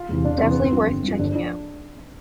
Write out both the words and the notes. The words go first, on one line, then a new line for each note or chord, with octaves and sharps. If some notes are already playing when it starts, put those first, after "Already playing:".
Definitely worth checking out.
Already playing: F4
E2 C3 E3
E1 D4
E2 C3 E3 C4
B3
G1
C4
G2 F3
G1
G2
F3
G1 D4
F3 D4